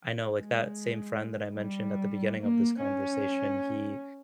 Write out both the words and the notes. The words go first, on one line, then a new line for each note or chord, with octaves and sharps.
I know like that same friend that I mentioned at the beginning of this conversation, he,
G#3
G3
A#3
C#4